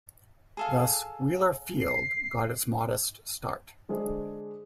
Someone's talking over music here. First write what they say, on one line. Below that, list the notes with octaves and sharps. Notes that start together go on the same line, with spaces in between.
Thus Wheeler Field got its modest start.
G#4 A4 F5
C7
D3 G#3 D4 G#4 C5